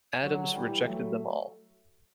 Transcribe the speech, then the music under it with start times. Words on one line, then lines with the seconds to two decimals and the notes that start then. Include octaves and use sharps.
Adams rejected them all.
0.23 D3 F#3
0.52 E3 G3
0.82 F#3 A3